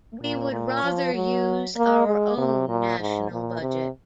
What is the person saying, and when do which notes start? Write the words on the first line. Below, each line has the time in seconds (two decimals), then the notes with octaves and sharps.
We would rather use our own national budget.
0.21 A#2
0.51 A#2
0.83 F3
1.14 F#3
1.76 A#3
2.07 G#3
2.38 C3
2.69 A#2
2.99 G#2
3.31 A#2
3.61 C3